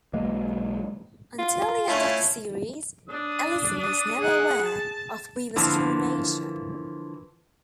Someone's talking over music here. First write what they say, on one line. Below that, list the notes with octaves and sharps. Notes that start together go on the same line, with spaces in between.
Until the end of the series, Ellison is never aware of Weaver's true nature.
B1 E3 G#3 A#3
F4
A3 C#4 E4
D4 D#6
G#4 F#5
A5
D3 E3 F3 A#3